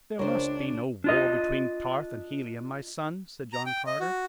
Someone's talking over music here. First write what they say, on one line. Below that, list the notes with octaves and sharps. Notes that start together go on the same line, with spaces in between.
"There must be no war between Ptarth and Helium, my son," said John Carter.
C#2 D4 A#4 C5 C#5
D4 F4 D#5
A#5
G5
D#5
F#4